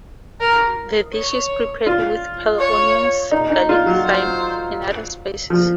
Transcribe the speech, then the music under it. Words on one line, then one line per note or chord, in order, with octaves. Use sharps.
The dish is prepared with pearl onions, garlic, thyme, and other spices.
A#4
C#5
F4
C#5
D#4
D#4
F4
F#3
C5
F3